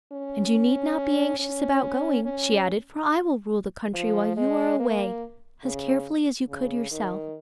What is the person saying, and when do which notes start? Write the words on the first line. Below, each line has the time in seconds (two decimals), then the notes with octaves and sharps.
'And you need not be anxious about going,' she added, 'for I will rule the country while you are away as carefully as you could yourself.'
0.12 C#4
1.39 C#4
2.25 C#4
3.94 F3
4.37 G#3
4.79 A#3
5.64 C#3
6.49 C#3
6.91 D#3